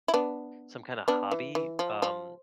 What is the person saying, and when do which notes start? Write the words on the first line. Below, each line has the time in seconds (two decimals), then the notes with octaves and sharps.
some kind of hobby, um,
0.08 E4
0.14 B3 D4
1.08 B3 D4
1.31 E3
1.55 E3
1.79 F3
2.02 F3